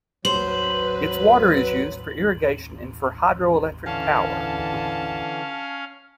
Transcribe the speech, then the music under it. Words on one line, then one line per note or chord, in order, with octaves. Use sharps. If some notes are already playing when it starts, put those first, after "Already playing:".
Its water is used for irrigation and for hydroelectric power.
F#3 B4 C5 F#7
D3 E3 C#4 F5 A5